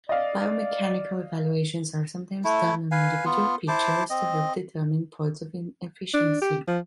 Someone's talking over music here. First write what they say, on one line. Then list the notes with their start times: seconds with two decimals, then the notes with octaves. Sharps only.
Biomechanical evaluations are sometimes done on individual pitchers to help determine points of inefficiency.
0.09 D5 D#5 F5
2.44 A3 E4
2.91 B4 F5 G#5
3.25 B3 F4
3.68 E4 C5 A5 D6
4.10 C4 D#5
6.14 D4
6.42 G4
6.67 F3